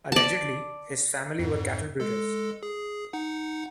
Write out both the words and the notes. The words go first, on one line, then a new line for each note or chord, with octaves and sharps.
Allegedly, his family were cattle breeders.
D5 A5
F2 G#2
G#3 A4
G#4
D#4 F#5